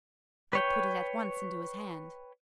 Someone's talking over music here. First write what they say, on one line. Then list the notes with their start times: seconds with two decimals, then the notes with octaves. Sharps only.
I put it at once into his hand.
0.53 B4 C#5 G5